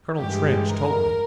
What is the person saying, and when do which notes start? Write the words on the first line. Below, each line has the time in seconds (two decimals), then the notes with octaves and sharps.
"Colonel Trench told me."
0.19 G2 E3 G#3 G4
0.67 A#4